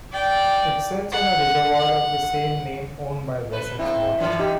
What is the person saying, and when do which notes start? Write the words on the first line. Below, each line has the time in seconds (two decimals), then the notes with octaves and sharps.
It sits on a reservoir of the same name owned by Wessex Water.
0.13 D5 G5
1.12 F#5
1.74 F#5
3.51 A3 B4
3.79 A3 A#3 C4 E4
4.18 D3 E3
4.39 D#4 G4